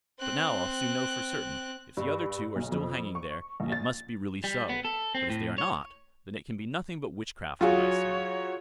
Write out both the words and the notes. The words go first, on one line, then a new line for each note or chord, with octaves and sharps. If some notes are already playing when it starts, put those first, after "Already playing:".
But now I'll soon know for certain; if the other two are still hanging there, it must be really so; but if they are not, then it can be nothing but witchcraft that I see.'
C4 F#6
G2
B1
F2
C#6
A#1
A6
G3
B3
A4
C4
A2
C#5
F#3 F4 F#4 G#4 C#5